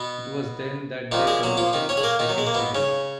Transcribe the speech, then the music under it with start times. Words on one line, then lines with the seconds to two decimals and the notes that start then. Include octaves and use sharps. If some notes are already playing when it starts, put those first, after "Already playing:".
It was then that they commissioned a second series.
Already playing: B2 B3
1.12 A#2 D#3 F3 D#4
1.27 G#3 G#4
1.43 F#3 F#4
1.57 F3 F4
1.73 D#3 D#4
1.89 C#4 C#5
1.97 G#4
2.03 A#3 A#4
2.19 D#3 D#4
2.29 F#3
2.38 G#3
2.47 A#3
2.54 B2 B3
2.75 C#3 C#4